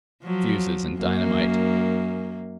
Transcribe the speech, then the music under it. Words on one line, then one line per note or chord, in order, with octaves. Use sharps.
Fuses and dynamite.
F3 F#3
F#2 A#3